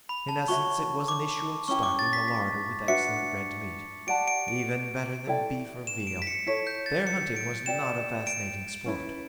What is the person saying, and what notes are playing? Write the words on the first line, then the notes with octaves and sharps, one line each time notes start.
In essence, it was an issue of stocking the larder with excellent red meat, even better than beef or veal. Their hunting was not a fascinating sport.
B5
A5
F#4 C#5 E5 C#6
D6
C#4 E4 G4 C#6
D6
A6
B6
B6
D4 F#4 B4 E5 C#7
G4 D5 F#5 A5 D7
D7
D7
E4 A4 D5 G5
E7
D7
B6
C#7
E4 A4 C#5 B6
G6
A6
C#7
D7
G4 D5 G5 E7
D7
C#4 E4 B4